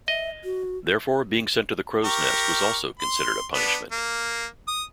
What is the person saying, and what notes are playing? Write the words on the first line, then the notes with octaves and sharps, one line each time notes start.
Therefore, being sent to the crow's nest was also considered a punishment.
D#5 E5
F#4
G4 A#4 C#6
C6
B3 D4
A#3
D#6